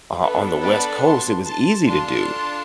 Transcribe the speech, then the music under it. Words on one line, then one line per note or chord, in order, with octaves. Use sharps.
o on the West Coast, it was easy to do,
B3 D4 A4 B4
B4 D5
A5 C6
A5 C6
D4 F4 A4 A5 C6